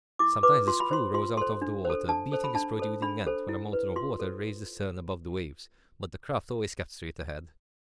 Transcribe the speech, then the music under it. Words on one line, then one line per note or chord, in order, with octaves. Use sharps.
Sometimes the screw rose out of the water, beating its protruding end, when a mountain of water raised the stern above the waves; but the craft always kept straight ahead.
E4 D6
B4 D6
F4 C6
B5
C5 C6
F4 C6
A4 C5 C6
D4
C5
A4
D4 A5
A4 C5
B5
D4 A5
A4 C5
D4 B5
A4 C5
E4
B4
F4 C6
A4 C5